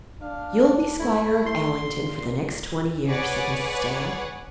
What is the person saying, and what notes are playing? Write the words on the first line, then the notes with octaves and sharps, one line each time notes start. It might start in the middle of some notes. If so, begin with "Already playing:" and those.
"You'll be squire of Allington for the next twenty years," said Mrs. Dale.
D4 F5
A3 E4
C6
A#2
G#4 B4 C#5 D5 F#5 G#5